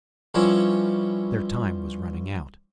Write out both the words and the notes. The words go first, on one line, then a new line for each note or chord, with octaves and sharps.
Their time was running out.
G2 F3 C#4 E4